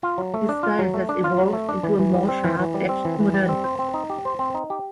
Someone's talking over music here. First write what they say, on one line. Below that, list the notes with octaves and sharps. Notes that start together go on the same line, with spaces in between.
His style has evolved into a more sharp-edged modernity.
F4
F#3
A3
D4
F4
F#3
A3
D4
F4
F#3
A3
D4
E3
E3
G3
C4
E3
E3
G3
C4
E3
E3
G3
C4
C5
C4
D#4
G4
C5
C4
D#4
G4